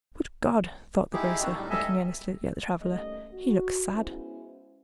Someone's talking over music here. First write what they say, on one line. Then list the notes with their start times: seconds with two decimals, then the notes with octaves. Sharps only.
"Good God!" thought the grocer, looking earnestly at the traveler, "he looks sad!"
1.13 G#3 D#4 E4 G4 G#4
1.41 D3 D#3 C4 D4 F#4
1.55 A2 G3 D#4
1.70 D2 G3 A4 D#5 E5 G#5
2.80 D#2 B2 G3 A3 C#4 D#5
3.33 F#4
3.93 G#3 B3 C#4 E4 F#4 C5